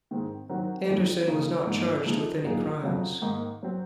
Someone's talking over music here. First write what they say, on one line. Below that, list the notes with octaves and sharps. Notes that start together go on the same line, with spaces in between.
Andersen was not charged with any crimes.
G#2 D#3 G#3 C4
D#3 F#3 C4 F#4 A#4
F2 D#3 G#3 C4
C#3 F3 A#3 D#4
G#2 F3 A#3 D#4
C3 F3 G#3 D#4
A#2 F#3 A#3 D#4 G#4
F2 C#3 F#3 C4
G#2 D#3 A#3 D#4
F#3 C4